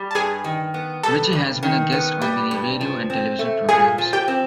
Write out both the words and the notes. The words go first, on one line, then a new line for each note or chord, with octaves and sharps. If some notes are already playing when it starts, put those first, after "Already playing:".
Richie has been a guest on many radio and television programs.
Already playing: G3
A5
G2 G#4 G#5
D#3
B3
G3 A4 A5
G2
D#3
B3
G3
G2
F3
C4
A3
A#2 G#4 G#5
F3
G4 G5
C4